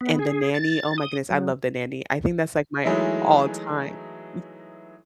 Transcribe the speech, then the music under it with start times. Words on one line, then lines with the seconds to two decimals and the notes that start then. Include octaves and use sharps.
and The Nanny, oh my goodness, I love The Nanny. I think that's like my all time. Y
0.01 B3
0.19 G#4
0.54 A6
0.98 D#6
1.30 F#3
2.85 E3 F#3 G#3 A3 D#4 E4